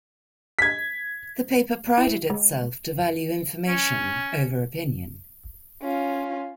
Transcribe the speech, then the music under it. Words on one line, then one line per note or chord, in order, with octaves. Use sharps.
The paper prided itself to value information over opinion.
G#6 B6
E4
G#3
C#4
C#4 F4